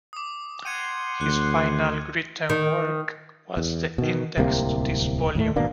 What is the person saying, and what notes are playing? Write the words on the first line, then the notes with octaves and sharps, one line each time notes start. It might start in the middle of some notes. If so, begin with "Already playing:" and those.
His final written work was the index to this volume.
D6 D#6
F#5 G5 C6 G#6 C#7 D#7
D2 F#6
D#3
E2
B2 D#3
D1 C2 C3 A#3
D#2 A2 A3
G#1 B2 A#3 D4